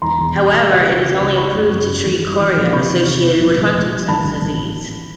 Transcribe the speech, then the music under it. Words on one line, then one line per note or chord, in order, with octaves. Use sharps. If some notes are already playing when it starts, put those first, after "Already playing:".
However, it is only approved to treat chorea associated with Huntington's disease.
E1 A#5 C6
E2
E1
G3
C#3
C#3
C#3
C#2
C#3 B5 C#6
F#1
F#2
F#2
E3
G3
E3
A#1
C3 B5 C#6
D#3
E2
C3
A#1
A#1
A#1
G3
A1 A5 B5
A1
A1